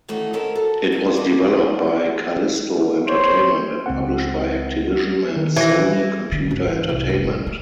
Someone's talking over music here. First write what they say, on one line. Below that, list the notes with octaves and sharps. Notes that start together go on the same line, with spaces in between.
It was developed by Kalisto Entertainment and published by Activision and Sony Computer Entertainment.
D#3 E3 A3 C#4 F#4
D#3 C#4 A4 A#4 C5 C#5
F#4 A4 A#4
E5
D4 D#4 F#4 B4
C5 C#5
C#2 C4 F#5
D#3
E3 E4 A#6
D3
G#2
E3
C2
F1
A2
A#3